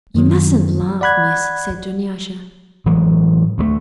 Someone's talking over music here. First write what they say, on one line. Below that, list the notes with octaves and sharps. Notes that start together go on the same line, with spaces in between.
"You mustn't laugh, Miss," said Dunyasha.
F#2 D#3 F#3
D5 F#5 B5 F#6 G#6
A2 E3 F#3 G#3
D2 G3 A3